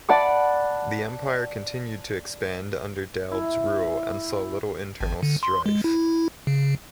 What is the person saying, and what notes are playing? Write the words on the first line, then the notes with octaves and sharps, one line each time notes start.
The Empire continued to expand under Daoud's rule, and saw little internal strife.
D5 F#5 A5 B5 D6
E4
G#1
D3
C6
G#3
E4
C#3